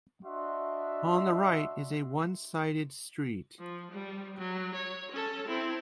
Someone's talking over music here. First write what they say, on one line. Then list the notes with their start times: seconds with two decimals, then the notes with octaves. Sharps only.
On the right is a one-sided street.
0.24 D4 F#4 D#5 E5 C6
3.59 F3
3.91 G3
4.38 F#3
4.74 C#5
5.12 C#4 A4
5.47 C4 E4